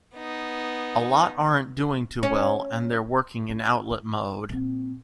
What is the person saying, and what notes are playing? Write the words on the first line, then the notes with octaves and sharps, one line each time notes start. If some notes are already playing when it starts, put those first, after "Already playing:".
A lot aren't doing too well and they're working in outlet mode.
B3 D#4
C#4
C#4
E4
A#1 C4